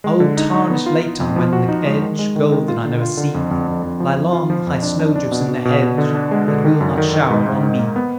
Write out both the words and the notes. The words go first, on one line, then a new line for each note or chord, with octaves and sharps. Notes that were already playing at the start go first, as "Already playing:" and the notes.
Oh tarnish late on Wenlock Edge, Gold that I never see; Lie long, high snowdrifts in the hedge That will not shower on me.
G#3
D3
D#4
D#4
B3
F4
F4
F2
F3
F#4
D#4
G#3
D#3
G#3
D#3
D#3
F4
D3
F4
D3
F2
F2
F2
F2
F3
F3
F4
F3
F2
D4
D4
D4
B2
B2
B2
B2
D3
D4
G#3
D3
D#3
F#2
D#3
D#3
G#2
G#2
G#2
A#3
B3